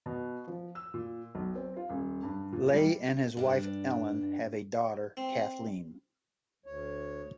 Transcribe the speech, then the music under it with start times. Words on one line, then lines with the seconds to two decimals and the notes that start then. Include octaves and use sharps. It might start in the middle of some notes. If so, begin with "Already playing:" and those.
Ley and his wife Ellen have a daughter, Kathleen.
0.06 B2
0.47 F3
0.75 E6
0.94 A#2
1.35 B1
1.55 C4
1.76 F4
1.89 D#1
2.23 G2
2.53 A#2
2.74 G3
3.37 G2 D4
5.17 C4
6.66 D2 C#5